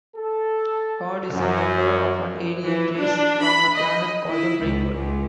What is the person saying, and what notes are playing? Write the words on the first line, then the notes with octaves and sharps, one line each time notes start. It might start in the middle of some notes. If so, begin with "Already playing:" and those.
Ord is a member of an alien race from a planet called the Breakworld.
A4
F#2
E3
D4
B5
D#5
E4
C#2
C#2